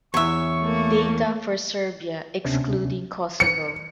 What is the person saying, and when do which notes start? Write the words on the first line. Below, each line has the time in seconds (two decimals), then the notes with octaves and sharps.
Data for Serbia excluding Kosovo.
0.14 E2 E3 C#5 E5 C#6
0.60 A3 A#3
2.44 D2 C3 B3 C#4 D4
3.40 C#7